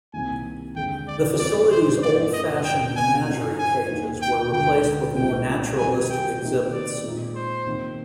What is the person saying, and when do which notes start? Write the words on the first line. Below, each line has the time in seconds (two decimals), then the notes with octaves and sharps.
The facility's old-fashioned menagerie cages were replaced with more naturalistic exhibits.
0.13 C2 C3 D#3 A#3 G#5
0.76 D#2 D3 G#3 C4 G5
1.08 D5
1.39 F2 D#3 G#3 D#4 D5
1.70 C5
2.01 G2 F3 A#3 D5
2.33 D#5
2.64 D#2 D3 G3 G5
2.96 G#5
3.27 G2 F3 C4 D#4
3.58 G#5
3.90 D#2 D#3 A#3 D#4
4.22 G5
4.53 D2 D3 G#3 G5
5.15 C2 A#2 G#3 D4 G5
5.78 F2 C3 D#3 G3 G#5
6.10 G5
6.40 C3 D#3 A#3 D#4
6.72 D5
7.04 A#2 G#3 C4 D#4
7.35 C5
7.67 C3 D#3 A#3 D#4